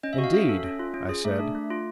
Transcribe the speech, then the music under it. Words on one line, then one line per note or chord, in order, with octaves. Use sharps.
"Indeed," I said.
C#4 D#5
E5
F#4
F5
C#4 E5
A4
C#4
F4
C#4
G#4
A3 E5
D4
A3
F4